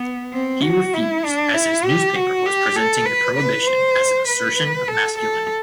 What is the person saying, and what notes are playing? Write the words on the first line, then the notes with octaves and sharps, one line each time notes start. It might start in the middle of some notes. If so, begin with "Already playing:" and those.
He refused as his newspaper was presenting the prohibition as an assertion of masculinity.
Already playing: B3
C4
F#4
E4
D4
E4
G4
F#4
G4
A4
B4
B4
C5
B4
A4
A4